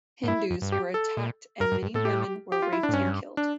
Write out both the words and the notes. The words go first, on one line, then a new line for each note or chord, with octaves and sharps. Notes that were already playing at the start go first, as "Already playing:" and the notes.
Hindus were attacked and many women were raped and killed.
A2
G2 E4
F2
G2
G4
A4
A#2
G2 A#4
G2
G2
A2 A4
G4
G4
F4
E4
D4
A2
G2 C#4
D4